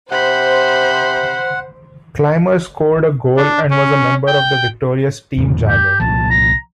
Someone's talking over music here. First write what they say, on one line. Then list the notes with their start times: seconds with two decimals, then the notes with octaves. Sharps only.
Clymer scored a goal and was a member of the victorious "Team Jagr".
0.11 C3 C5 F#5 B5 G6
3.37 D4
3.71 C#4
4.27 G5
5.37 E2 A2 D3
5.66 G4
6.00 C2 A#2 F3 A5
6.30 A#5